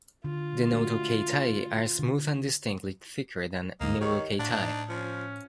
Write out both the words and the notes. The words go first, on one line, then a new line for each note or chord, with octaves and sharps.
The notochaetae are smooth and distinctly thicker than neurochaetae.
D3 F4
A3 D4 F#4
D3
D2 G2 D3 A#3 D#5
D#3 G4 C#5 D#5 C#6
A2 D4 F#4
D#4
F3 C#4